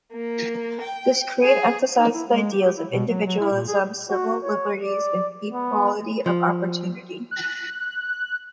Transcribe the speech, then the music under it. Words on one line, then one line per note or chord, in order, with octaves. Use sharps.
This creed emphasizes the ideals of individualism, civil liberties, and equality of opportunity.
A#3
G5
G#4
D#4
E4
G#3
G4
E4
B2
F#3
F#3
E4
A#2
G#4
F#4
C#5
D5
B3
F3
F#6